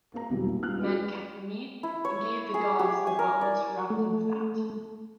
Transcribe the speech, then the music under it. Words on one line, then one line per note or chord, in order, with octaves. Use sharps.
Men kept the meat, and gave the gods the bones wrapped in fat.
A#3 C4 A#4 A#5
E1 C3 F#3 G3 E4
A#1 D#2
G3 B3 C#4 F4 F6 F#6
C#4 E4 F#4 G#4 B4
E4
C#5
G#4
G4
G#5
A#4
D5
A3